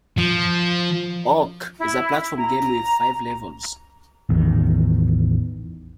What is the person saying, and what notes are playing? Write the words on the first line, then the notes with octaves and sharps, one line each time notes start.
"Ork" is a platform game with five levels.
F3
E4
A#5
A1 E2 D#3